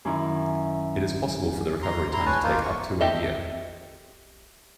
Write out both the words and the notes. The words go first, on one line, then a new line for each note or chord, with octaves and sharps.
It is possible for the recovery time to take up to a year.
F#2 D#3 E4
A#5 C6
E4 A#5 C6
B4 C#5 G#5 A5
A#3 D#4 F4
C#6
G4 A4 D#5 E5